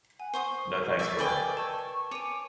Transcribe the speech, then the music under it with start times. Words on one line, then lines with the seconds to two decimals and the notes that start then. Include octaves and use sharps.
No thanks bro.
0.20 F#5 G#5
0.34 C5 C6 C#6 D#6
0.99 D5 E5
1.19 A#4 B4 D5 D#5 G5 G#5 B5
1.57 A5 C#6 E6 G#6
2.11 C#5 G#5 D6 D#7